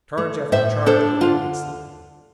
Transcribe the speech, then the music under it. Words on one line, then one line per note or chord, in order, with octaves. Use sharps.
Charge after charge broke against them.
A3
A2 C5 E5
D4 A4 C5
D3 F4